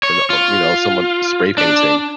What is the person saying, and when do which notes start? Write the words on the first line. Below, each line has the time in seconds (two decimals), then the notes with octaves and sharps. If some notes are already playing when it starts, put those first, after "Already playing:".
and, uh, you know, someone spray painting.
0.03 C#5
0.30 F4
1.58 D4